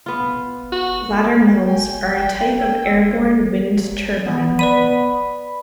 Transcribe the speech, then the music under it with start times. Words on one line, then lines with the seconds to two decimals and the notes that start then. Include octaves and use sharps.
Laddermills are a type of airborne wind turbine.
0.06 B3 F4
0.72 F#4
1.65 G5 G#5
2.15 G5
2.58 G5 E6
4.25 B3
4.59 B4 D5 B5 D#7